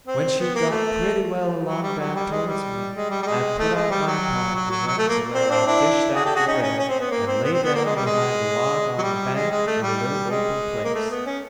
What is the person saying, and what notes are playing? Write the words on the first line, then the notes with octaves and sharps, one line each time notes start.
When she'd got pretty well along down towards me, I put out my pipe and went to where I fished out the bread, and laid down behind a log on the bank in a little open place.
C4
B3
A#3
A3
F#3
G3
F#3
G3
G#3
G3
G#3
G3
G3
G#3
A3
G#3
G3
F#3
F#3
F#3
F#3
A3
A#3
C4
C4 D4
D4 E4
F#4 G#4
G4 A4
F#4 G#4
C#4 D#4
C#4
C#4
C4
B3
A#3
C4
B3
C4
B3
A#3
G#3
G3
G#3
F#3
G3
G#3
G#3
A3
G3
G#3
A#3
A3
B3
C#4